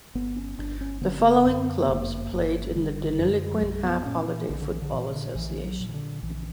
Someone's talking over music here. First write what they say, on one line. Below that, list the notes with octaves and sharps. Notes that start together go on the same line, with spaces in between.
The following clubs played in the Deniliquin Half Holiday Football Association.
G1 B3
C#4
G1 D4
C#4
D3 B3
C#4
B3
F#2
B3
G1 A#3
G1
D3 G3
F#2
F#3
A#1 G3
B3
A#2 C#4
E3
A#1 D3
D3
E3
D3
A#2 E3
D3
A#1 E3
F#3
A#2
E3
D3
A#1 E3